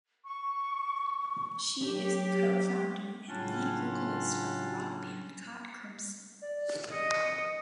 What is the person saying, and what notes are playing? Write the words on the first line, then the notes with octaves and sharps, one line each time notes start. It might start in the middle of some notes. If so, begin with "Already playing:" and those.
She is the co-founder and lead vocalist of the rock band Caught Crimson.
C#6
F#3 G4
A2 C#3 F#3 C#4 D4 F4
D5
D#5 C#7